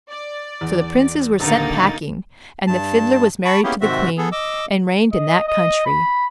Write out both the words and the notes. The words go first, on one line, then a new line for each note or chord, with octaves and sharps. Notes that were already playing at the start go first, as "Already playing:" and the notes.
So the princes were sent packing, and the Fiddler was married to the queen, and reigned in that country.
D5
E2
D#1 D2 A#3 D#4 A6
G2 A5
A5 B5 C#6
A#3 B3 C#4 E4 G4 G#4
G#2 C3 D#3 C4 F#4 E5
B3 G#4 A4
D#5 D6 E6
D#5
D#5
B5